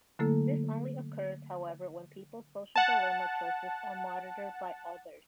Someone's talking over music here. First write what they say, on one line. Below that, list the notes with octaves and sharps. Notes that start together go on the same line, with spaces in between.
This only occurs however when people's social dilemma choices are monitored by others.
D3 F#3 A3 A#3 E4 A4
F#5 A5